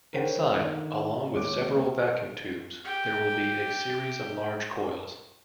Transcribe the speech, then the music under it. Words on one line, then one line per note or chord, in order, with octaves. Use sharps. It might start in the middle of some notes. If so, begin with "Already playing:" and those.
Inside, along with several vacuum tubes, there will be a series of large coils.
A#4 C5 C#5 F#5 G5
D3 D#3
D#2 G#3 C4 C#5 D6 D7
G4 G5